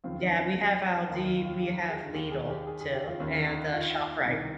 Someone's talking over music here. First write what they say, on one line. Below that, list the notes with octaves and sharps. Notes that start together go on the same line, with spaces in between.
Yeah, we have Aldi, we have Lidl too, and uh, ShopRite.
D#2 C#3 F3 C4
F4
D#4
C#4
D#2 D#3 D#4
F4
F4
G4
G#4
D#2 D#3 G4
G#4
G4
G#4
G#4
G4
F4
D#2 D#3 C#4
D#4
F4
F4
C2 C3 D#3 G4